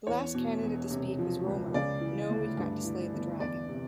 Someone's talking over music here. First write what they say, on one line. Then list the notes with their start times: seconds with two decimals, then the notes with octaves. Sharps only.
The last candidate to speak was Roemer: No, we've got to slay the dragon.
0.07 E2 C#5
0.35 B2
0.63 E1
0.90 C3
1.18 F3
1.46 C#2
1.74 C#3 D5
2.01 E3
2.29 D2
2.57 G2
2.85 E3
3.13 G1
3.40 E2 D5
3.69 C3